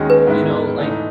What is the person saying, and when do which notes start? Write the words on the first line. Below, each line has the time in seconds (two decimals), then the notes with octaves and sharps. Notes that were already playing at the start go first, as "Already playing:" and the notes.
you know, like
Already playing: D#2 D#3 G#3 C#4 F#4
0.10 B4
0.27 G#2 D#3 G#3 B3 E4
0.78 G#2 E3 A3 D#4